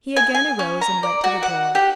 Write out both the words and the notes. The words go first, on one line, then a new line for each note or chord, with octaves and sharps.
He again arose and went to the door.
G#5
G#5
C#4
A#5
D5
F#4
F#5
G4